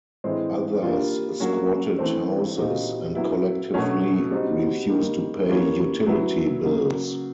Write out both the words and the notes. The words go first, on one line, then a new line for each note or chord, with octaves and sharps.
Others squatted houses and collectively refused to pay utility bills.
A2 E3 G#3 C4
G3 A#3 D4 F4
F#3 A#3 C#4 F#4
E3 A3 C4
A#2 G3 C4 D#4 F#4
F#3 B3 E4
B2 F#3 A3 C#4
G3 C4 D#4 F#4
D#3 G3 A#3
E3 G3 A#3 C#4
F#3 B3 E4
C#3 F#3 A#3